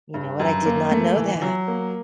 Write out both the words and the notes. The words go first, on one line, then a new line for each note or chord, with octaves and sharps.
You know what? I did not know that.
G2
F#2
A#3
A3
E3
F#3
A#3